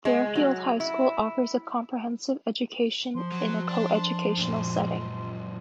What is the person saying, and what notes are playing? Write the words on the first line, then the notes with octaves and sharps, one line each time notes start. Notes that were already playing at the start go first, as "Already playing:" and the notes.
Fairfield High School offers a comprehensive education in a coeducational setting.
G#3
F#3
E4
F3 C6
F#3
D4
F#2 A#2